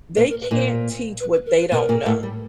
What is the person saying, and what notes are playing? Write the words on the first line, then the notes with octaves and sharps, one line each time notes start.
they can't teach what they don't know.
A#2 A#3 B4
A#4
B4
A#2 A#3 C5
B4
B4
A#4
B4
B2 B3 A#4
A#2 A#3
A2 A3
G3